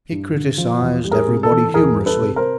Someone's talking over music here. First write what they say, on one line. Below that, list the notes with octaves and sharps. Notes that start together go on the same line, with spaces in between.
He criticised everybody humorously.
G2
D3
F3
E2
G3
G#4 A#4
C3
A4
E3
E2 G#4 A#4
G3
A4 B4
C3
A#4 C5